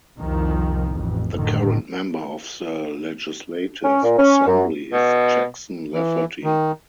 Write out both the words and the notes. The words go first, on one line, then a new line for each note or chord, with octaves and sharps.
The current Member of the Legislative Assembly is Jackson Lafferty.
C2 F2 D#3 F3
A1 F2
F#1 A2 D3 D#3
C#4
A#2
C#4
F#2
B2
E3
D#3